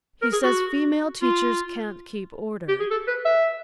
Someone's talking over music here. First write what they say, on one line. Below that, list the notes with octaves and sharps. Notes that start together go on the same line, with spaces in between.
He says female teachers can't keep order.
A#4
G#4
F#4
F4
G4
G#4
A4
B4
E5